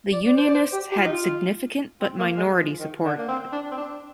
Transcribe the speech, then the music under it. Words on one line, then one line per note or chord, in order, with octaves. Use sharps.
The Unionists had significant but minority support.
D5
D5
C5
D5
C5
G4
G4
F4
D#4
F4
C4
A#3
G#3
F3
D#3
D3
A#3
C4
D4
C4
D4